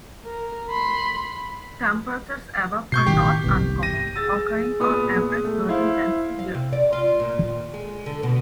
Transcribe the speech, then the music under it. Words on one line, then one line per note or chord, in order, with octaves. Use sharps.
Temperatures above are not uncommon, occurring on average eleven times a year.
A#4
B5 C6
B2 C#6 G6 C7
A1 D#3 G4
G1 C2 B2
A#6 D#7
G#4 E6 A6
A#2 B3 D#6
A3
E4 C5 F5
F5
C3
D5
F4
A#2
D#2
G#3
D3
B2